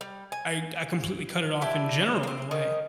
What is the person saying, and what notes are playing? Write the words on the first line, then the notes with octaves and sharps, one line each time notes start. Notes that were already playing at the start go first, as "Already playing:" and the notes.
I d I completely cut it off in general, in a way.
G3
G#5
D4 E4 G4 E5
A#3 C4
D#3 C#4